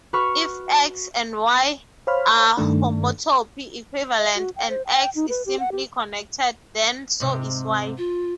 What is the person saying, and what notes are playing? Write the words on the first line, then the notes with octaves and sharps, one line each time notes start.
If "X" and "Y" are homotopy-equivalent and "X" is simply-connected, then so is "Y".
F#4 B4 B5 C#6 F6
C5 C#5 F5 B5 F6
G2 D#3 A3 D4
E5
F#4
G5
C5
G5
D#4
B4
G4
F#5
G4
G#2 C3
F4